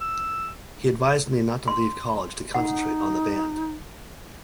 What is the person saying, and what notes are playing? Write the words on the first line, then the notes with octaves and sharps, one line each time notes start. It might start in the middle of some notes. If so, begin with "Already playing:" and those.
He advised me not to leave college to concentrate on the band.
E6
C6
D#4 F#5